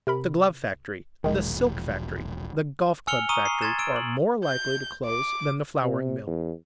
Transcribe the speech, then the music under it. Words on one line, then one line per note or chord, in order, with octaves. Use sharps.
The glove-factory, the silk-factory, the golf-club-factory are more likely to close than the flouring-mill.
C3 A#4 B5
E1 A#1 D#3 G#3
G#5 E6 F6 C#7 F7 G7
A#5 C#6 D#6 D#7 G7
C7
C6 G#6 A6 E7
E6 D7
F#7
G6
D6
C3
E2